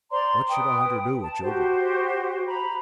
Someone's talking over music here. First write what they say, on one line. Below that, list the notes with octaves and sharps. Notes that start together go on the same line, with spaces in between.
What should a hunter do with children?
C5 D5 A#5 C6
B4 G5 D#6
A5
F#4 G4 C5
A#5 B5